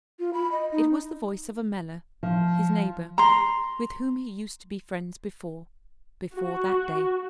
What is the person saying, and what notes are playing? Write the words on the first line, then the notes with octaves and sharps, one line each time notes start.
It was the voice of Ammella, his neighbor, with whom he used to be friends before--before that day.
F4
B5
D#5
D#4
F3
A#5 C6
F#4